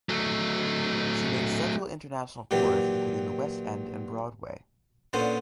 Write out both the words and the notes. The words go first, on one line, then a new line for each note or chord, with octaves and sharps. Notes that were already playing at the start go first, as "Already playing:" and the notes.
She made several international tours including the West End and Broadway.
F#3 A3
A#2 D#3 E3 F#3 G4
A#2 D3 B3 C#4 C5